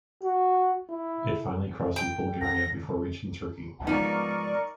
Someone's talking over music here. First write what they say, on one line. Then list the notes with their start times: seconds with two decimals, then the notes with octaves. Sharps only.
It finally crosses Bulgaria before reaching Turkey.
0.23 F#4
0.90 E4
1.96 G5
2.41 A#6
3.87 G#2 F3 B3 D#4 A#4 D5 C#6